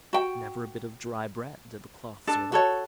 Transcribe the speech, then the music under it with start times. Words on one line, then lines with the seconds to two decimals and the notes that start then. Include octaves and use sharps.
But never a bit of dry bread did the cloth serve up.
0.13 F#4 G5
2.27 D4 A4
2.52 F#4 A4 C#5